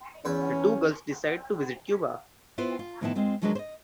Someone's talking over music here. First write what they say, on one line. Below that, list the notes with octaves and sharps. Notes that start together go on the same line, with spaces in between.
The two girls decide to visit Cuba.
E2 C#4 B4
B3 E4 F4 B4 C5
F4
A2 D#3 F3 B3 E4 A5
G#3 C4 F4
D#2 F3 F#3 G#3 D4 B4
C5 D#5